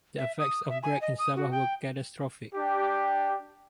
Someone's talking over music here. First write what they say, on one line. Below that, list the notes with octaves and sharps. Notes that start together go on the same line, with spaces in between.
The effects of Greg in Sabah were catastrophic.
E5
D#6
E5
G#5
D#5
D#6
F#4
G5
D4 G4